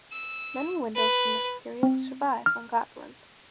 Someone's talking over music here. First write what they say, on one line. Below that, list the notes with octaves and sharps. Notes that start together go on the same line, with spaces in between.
Many windows from this period survive on Gotland.
E6
B4
C4
F6